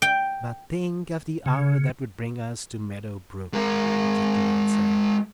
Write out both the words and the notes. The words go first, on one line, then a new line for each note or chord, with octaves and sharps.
"But think of the hour that would bring us to Meadow Brook!" objected Aunt Sarah.
G5
C#3
G#3 A#4